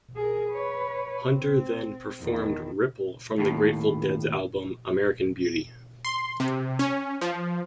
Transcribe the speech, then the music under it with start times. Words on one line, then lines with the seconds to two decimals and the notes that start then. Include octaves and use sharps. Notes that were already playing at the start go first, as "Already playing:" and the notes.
Hunter then performed "Ripple" from the Grateful Dead's album "American Beauty".
0.16 G#4 A#4
0.50 B4 C#5
1.26 C4
2.20 E2 D#3
3.38 D#2 A2
6.05 C6
6.40 C3
6.79 C#4
7.21 F3